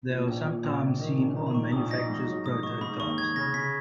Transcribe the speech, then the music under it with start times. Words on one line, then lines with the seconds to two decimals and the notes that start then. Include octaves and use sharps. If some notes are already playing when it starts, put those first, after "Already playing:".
They are sometimes seen on manufacturer's prototypes.
0.09 A#2
0.27 A#1
0.45 A#2
0.64 A#1
0.82 A#1
0.99 D#3
1.19 A#1
1.36 D#3 A#5
1.47 B5
1.55 G#2 C#6
1.72 A#1 D#6
1.91 D#4 A#6
2.10 G#2
2.28 F#3
2.46 G#2 D#6
2.63 G#2 C#6
2.81 G#2 B5
3.00 D#2 C#6
3.18 D#2 G#6
3.36 C#3 A#6
3.54 C#3 B6